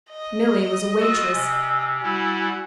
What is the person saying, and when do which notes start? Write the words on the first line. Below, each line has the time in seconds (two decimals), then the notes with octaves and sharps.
Milly was a waitress.
0.10 D#5
1.00 F4 F#4 E6
1.33 C3 G#5
2.03 G3 E4 F#4